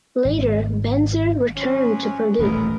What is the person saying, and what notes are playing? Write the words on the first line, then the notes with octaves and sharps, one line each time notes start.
Later Benzer returned to Purdue.
G#1
F3 F#3 C#4
D#1 A1 F2 A3 B3 A#4